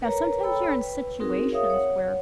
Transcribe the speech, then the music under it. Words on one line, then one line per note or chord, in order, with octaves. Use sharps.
Now sometimes you're in situations where
A#4 B4 C#5 A#5
A4 C#5 G5 B5 E6
B4
C4 D#4 F#4 G#4 A#4
G#4 A#4 C#5 E5 F5 D#6
C#5 F#5